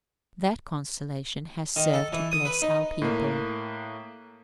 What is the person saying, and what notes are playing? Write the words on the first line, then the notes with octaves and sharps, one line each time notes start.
That constellation has served to bless our people.
D#3
A4
E3
D#6
B4
D#4
A2 A#3